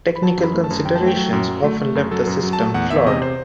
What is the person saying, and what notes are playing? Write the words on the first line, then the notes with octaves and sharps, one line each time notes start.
Technical considerations often left the system flawed.
B5
F#3 A5
F#2
B5
A3
A5
F#2
F#2 G5
A5
A3
G5
F#3
F#2
F#3
A3
A3
F#2
F#3 A4
F#2
F#3
A5
A3
E2 F#5
E2 E5
C3 D#5
C5